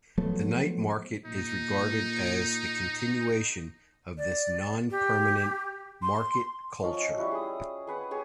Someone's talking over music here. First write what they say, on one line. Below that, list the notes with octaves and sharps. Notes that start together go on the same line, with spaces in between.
The night market is regarded as the continuation of this non-permanent market culture.
F3 F#3 A3 B3
A#2 D#4
D5
G4
C6
F3 C#4 D#4
G3 E4 F#4
G#4 D#6
G#4 B4 F#5
G4 G#4 C#5